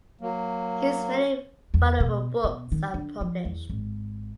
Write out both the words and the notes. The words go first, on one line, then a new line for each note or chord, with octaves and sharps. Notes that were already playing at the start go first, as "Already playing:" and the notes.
His many valuable books are published.
F#3 A#3
E2
B2
B2
D#3
D3
F3
E2
G#1